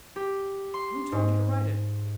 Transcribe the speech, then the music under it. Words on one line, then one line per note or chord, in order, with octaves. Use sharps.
'Who told you to write it?'
G4
C6
G#2